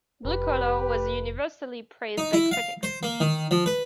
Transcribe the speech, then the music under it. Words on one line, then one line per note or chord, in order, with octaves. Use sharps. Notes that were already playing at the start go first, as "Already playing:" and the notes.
"Blue Collar" was universally praised by critics.
F1 G4 B4
D#4
E4
F5
C5
A#3
D#3
F3
B4